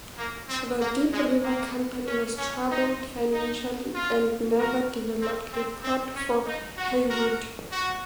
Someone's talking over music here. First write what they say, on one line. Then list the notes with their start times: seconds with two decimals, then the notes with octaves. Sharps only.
The Deep River Company was troubled financially and never developed a port for Haywood.
0.18 A#3
0.49 C4
0.81 A#3
1.12 G#3
1.43 A#3
2.07 C#4
2.38 C#4
2.70 D#4
3.33 D#4
3.94 F4
4.58 F#4 A#4
5.20 C4
5.52 C4
5.83 C4
6.15 C#4
6.46 D#4
6.77 F#4
7.09 F#4 A#4
7.72 F#4